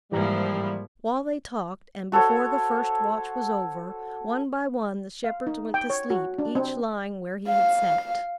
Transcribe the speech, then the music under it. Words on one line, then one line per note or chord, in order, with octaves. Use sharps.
While they talked, and before the first watch was over, one by one the shepherds went to sleep, each lying where he had sat.
G#2 E3 F3 G3 A#3 E4 G4 A#5
F#4 A4 C5 C#5
F5
D#4
G5
C#5
F#4
D4
C4
F5